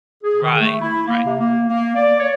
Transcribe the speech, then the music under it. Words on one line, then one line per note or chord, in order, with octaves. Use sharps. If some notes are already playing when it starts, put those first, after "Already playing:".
Right. Right.
G#4
D#3
A3
E4
A#3
C3
A#3
A#3
D5
C#5